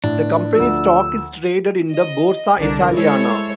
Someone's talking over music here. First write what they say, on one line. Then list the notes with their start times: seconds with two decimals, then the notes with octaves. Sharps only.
The company's stock is traded in the Borsa Italiana.
0.04 A2 D4
0.55 D2 F3 E6
1.90 D#5
2.59 C2 D3 D4 A#4
2.94 G#3 E4 A4 C5 C#5